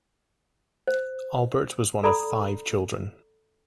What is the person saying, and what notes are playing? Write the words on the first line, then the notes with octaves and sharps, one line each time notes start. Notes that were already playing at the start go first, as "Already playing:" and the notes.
Albert was one of five children.
C5
A4 D5 A#5 B5 D#6